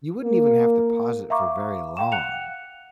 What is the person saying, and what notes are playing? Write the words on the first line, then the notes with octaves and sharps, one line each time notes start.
You wouldn't even have to pause it for very long.
A#3
E5 F5 A#5 C#6 D6
F5 G5 E7
F#5 F#6 C#7 F7